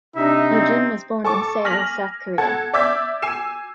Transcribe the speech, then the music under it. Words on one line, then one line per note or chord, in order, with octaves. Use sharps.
Eugene was born in Seoul, South Korea.
C3 D4 D#4 E5
C4
A4 A5 C#6 D6
G#5 F6 A#6 B6 F7 F#7
A4 F#5 A5 G#6
D5 E5 D6 E6 G6 B6
G#5 E6 C7 E7